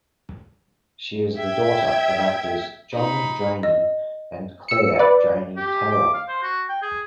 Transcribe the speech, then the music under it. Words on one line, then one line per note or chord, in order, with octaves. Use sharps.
She is the daughter of actors John Drainie and Claire Drainie Taylor.
E5 G5 G#6
D#4 B5
D#5
E6 C#7
B4 D5
G4
D6
F5
C5
F#4
G5
G#4